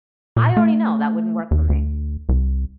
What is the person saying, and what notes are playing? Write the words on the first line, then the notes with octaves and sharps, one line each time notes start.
I already know that wouldn't work for me.
A#2
A3
D#2
D2
C2